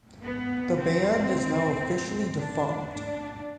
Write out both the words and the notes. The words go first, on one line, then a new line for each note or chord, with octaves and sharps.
The band is now officially defunct.
B3
C4
D4
D4